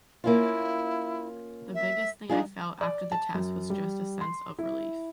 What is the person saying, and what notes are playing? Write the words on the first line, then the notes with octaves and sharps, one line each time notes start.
The biggest thing I felt after the test was just a sense of relief.
A#3 C#4 E4 F4
E5
D4 D#4 F4 G#4
D5
A5
F#2
G3
C6
E4